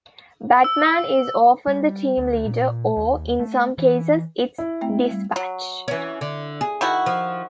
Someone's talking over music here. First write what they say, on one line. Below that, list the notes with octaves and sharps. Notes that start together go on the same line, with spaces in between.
Batman is often the team leader or, in some cases, its dispatch.
E6
G3
D2
A#2
D#2
A3
E3
E4
A3 C4 G5
G3
F#3
E3 C#4
D3
G#4
D#3 E4 F#4
F3